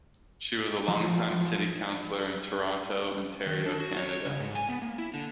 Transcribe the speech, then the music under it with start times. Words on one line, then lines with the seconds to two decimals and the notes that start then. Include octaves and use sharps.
She was a longtime city councillor in Toronto, Ontario, Canada.
0.88 F3
3.46 D#3
3.66 D4
3.80 F#4
3.96 C#5
4.09 C#5
4.26 C#3
4.40 G#2
4.55 G#5
4.69 B3
4.82 A#3
4.98 E4
5.14 D3